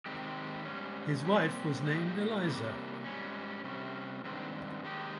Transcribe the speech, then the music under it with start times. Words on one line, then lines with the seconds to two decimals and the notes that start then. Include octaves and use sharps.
His wife was named Eliza.
0.06 D#3 G#3 C4 G4
0.65 G#2 G3 C#4
1.25 A#2 G3 C4 G4
1.85 A#2 G#3 D#4 G4
2.44 C3 G3 A#3
3.04 G#2 G3 C#4
3.64 C3 G3 C#4
4.24 G2 D#3 G#3 C4
4.83 D#3 G#3 D#4 G4